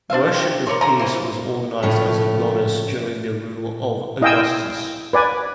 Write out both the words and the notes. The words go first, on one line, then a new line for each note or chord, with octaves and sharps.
Worship of Peace was organized as a goddess during the rule of Augustus.
D4 C5 E5 F5
C3
A#4 C#5 D5 C6
D3 A#5
E3 A#3 C5
A2 C#3 F3 A3
E4 D#5 F5 G5 G#5 E6
B4 D5 G#5